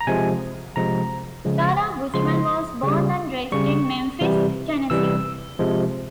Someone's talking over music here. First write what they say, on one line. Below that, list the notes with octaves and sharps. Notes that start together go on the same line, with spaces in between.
Dana Buchman was born and raised in Memphis, Tennessee.
A#5
C3 F3 G#3 G#5
C3 F3 G#3 A#5
C#3 F3 G#3
C#3 F3 G#3 C6
C#3 G3
C#3 G3 C#6
C3 E3 G3
C3 E3 G3 E6
C3 F3 G#3